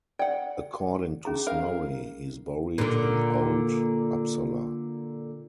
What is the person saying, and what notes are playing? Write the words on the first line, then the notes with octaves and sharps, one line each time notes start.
According to Snorri, he is buried in Old Uppsala.
D5 F#5 G5
C#4 G#4 A#5
A#4 F5
A#2 D3